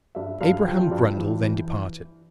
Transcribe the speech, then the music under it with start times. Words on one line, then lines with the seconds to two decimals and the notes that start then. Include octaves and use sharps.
Abraham Grundle then departed.
0.15 G2 E5
0.41 G2 F5
0.66 F3 G5
0.91 G2
1.17 E3
1.41 E3